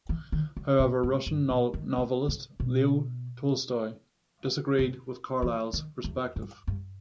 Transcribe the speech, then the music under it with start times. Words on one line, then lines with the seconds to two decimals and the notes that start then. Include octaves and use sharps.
However, Russian novelist Leo Tolstoy disagreed with Carlyle's perspective.
0.09 E3
0.32 D#3
0.57 C#3
0.79 B2
1.03 G#2
1.26 G2
1.50 A#2
1.74 D#3
1.98 C#3
2.28 C#3
2.60 B2
4.79 C#3
5.42 E3
5.73 D#3
6.04 E2
6.36 G2
6.67 G2